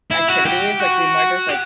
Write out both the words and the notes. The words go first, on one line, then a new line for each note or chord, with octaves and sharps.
activities, like, we more just, like,
E4
F#4
G4
F#4
G4